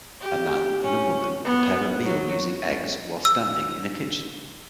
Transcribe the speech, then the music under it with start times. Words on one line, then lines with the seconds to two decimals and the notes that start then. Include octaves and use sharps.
A man and a woman prepare a meal using eggs while standing in a kitchen.
0.21 G4
0.83 C#4
1.45 B3
2.04 F#3
3.25 E6